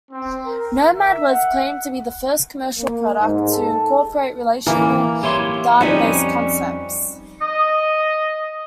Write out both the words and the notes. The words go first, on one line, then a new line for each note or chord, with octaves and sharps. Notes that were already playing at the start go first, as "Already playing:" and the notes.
Nomad was claimed to be the first commercial product to incorporate relational database concepts.
C4
A#4
E5
F#5
A#3
G#2
A4
E3 A#3
E4 G4 C#5 C6
F2 G3 C#4 D#4 B4 C5
D#5